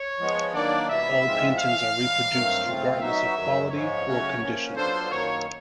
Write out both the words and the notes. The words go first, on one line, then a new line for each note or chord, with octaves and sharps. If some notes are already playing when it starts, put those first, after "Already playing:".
All paintings are reproduced regardless of quality or condition.
Already playing: C#5
F3 G#3 B3
D#3 F#3 A#3 D4 D5
B2 G3 B3 E4 E5
G#2 F3 G#3 C4 F4
A2 E3 A3 F5
G#2 E3 G3
G2 D#3 F#3 A3 C4
C#3 F3 A3 C4 F4
F#3 B3 D#4 F#4 E5
F#2 D#3 F#3
G#2 F3 G#3 C#5
C#3 F#3 A3 C#4 F#4
F3 A#3 C#4
F#3 B3 D4 F4 A4 C5
F#2 D#3 F#3 A#3 C#5